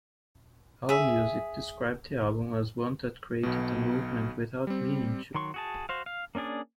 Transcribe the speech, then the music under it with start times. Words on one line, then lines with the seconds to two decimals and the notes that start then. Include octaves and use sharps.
Allmusic described the album as one that created a movement without meaning to.
0.89 G#4 E5
3.43 B1 B2
4.67 G3 C4
5.35 D#3 F#3 C6 C#6
5.54 F#4 G#4 A5
5.89 F#4 C5 F5
6.06 F5
6.35 A#3 C#4 D4 G#4 D5